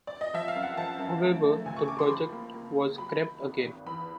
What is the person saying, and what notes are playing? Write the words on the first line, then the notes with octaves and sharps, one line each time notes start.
However, the project was scrapped again.
D5
D#5
F3 E5
F5
F#2
F#5
F3 A5
F#2
A3
A3
C#2 G#5
C#6
C#2 D6
C6
F3 B5
A#3
A#3
A#3
F#3 B5
D#3
G#1
G#1
E2 B5